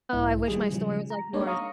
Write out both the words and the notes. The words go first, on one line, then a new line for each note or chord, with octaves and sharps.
I wish my story was like yours.
B1 G#2 E4
A#2 D#3 G3 G#4
C#3 F3 G3
A#5
G#3 A#3 D4 D#4 C#5 D5
F5 A#5 C#6 D#6